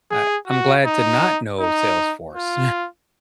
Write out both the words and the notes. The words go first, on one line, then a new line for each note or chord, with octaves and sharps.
I I'm glad to not know Salesforce
G#4
F#4
D#4
D#4
F4